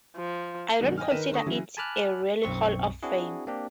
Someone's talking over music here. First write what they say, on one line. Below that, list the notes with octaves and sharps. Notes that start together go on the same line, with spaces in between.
I don't consider it a real Hall of Fame.
F3
G2 B2 D#3 F#3 G#3
D#5 G5 G#5 F6
D#3 A#4 B4 D#5 D#7 E7
D3 A3 C#6 D#6 A#6
C#3 E3 F#3 C#4 E4
G#5 A5 B5 D6 F6 F#6
B1 F#2 C4 C#6
C4 D4 E4 F#4 G#4
A#3 C4 D4 G4